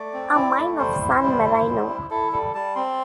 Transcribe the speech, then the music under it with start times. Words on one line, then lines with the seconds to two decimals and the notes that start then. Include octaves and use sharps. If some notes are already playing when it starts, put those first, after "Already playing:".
Amine of San Marino.
Already playing: A3 D5
0.13 C4
0.35 E4
0.57 A3
0.79 G3 C5
1.01 E4
1.23 G3
1.45 E4
1.66 G3
1.88 E4
2.11 E4 A4
2.32 G3 A4
2.55 G3 A5
2.76 C4 C6